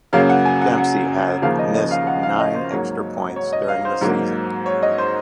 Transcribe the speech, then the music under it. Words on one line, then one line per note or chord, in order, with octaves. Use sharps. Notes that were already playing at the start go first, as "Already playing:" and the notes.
Dempsey had missed nine extra points during the season.
F#2 C#3 F#3 A#3 F5
F#5
G#5
F#5
F#5
D#2 C#3 F3 A#3 F5
D#5
D#5
F5
F#5
F5
D#5
C5
G#2 F#3 A#3 C#5
C#5
D#5
F5
C5
G#2 F#3 A#3
C#5
D#5
C5